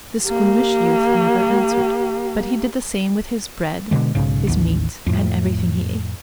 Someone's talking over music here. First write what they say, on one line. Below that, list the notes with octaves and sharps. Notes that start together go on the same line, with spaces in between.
The squeamish youth never answered, but he did the same with his bread, his meat, and everything he ate.
A#3 G4
B2 D3 G#3
B1 G#2 C#3
A1 D#2
F2 A2